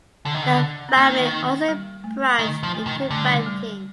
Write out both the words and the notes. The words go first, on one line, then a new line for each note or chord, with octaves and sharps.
The family also branched into banking.
D3
D#3
D3
C4
D#3 A#3
G3
A3
D#3 A3
F3
A3
D#3
D3 A3
G3
A3
G3